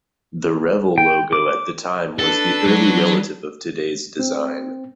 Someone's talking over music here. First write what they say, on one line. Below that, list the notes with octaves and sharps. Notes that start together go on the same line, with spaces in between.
The Revell logo at the time was the early relative of today's design.
G5
D6
D4 A4 B4
F#3 C#5
C4